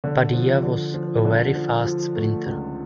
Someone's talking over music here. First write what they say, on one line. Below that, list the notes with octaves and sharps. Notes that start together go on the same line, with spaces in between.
Padilla was a very fast sprinter.
D3
F3
D3
F3
D3
F3
F3
A3
C#2